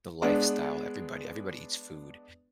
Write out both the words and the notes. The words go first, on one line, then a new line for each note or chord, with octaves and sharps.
the lifestyle everybody everybody eats food,
G#3 B3 D4 B4